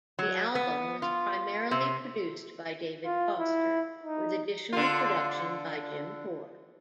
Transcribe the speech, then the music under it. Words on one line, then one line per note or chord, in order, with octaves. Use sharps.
The album was primarily produced by David Foster, with additional production by Jim Corr.
F#3
B3
F4
C3
F4
E4
D#4
D3 F4